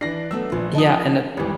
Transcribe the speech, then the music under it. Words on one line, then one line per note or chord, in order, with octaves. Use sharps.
Yeah, and the
E3 D4 A#6 C7
F#3 A3 B3 E6
A#1 F4 G#5
F3 D#5 A5 D#6
G#1 E2 C3 E3 G3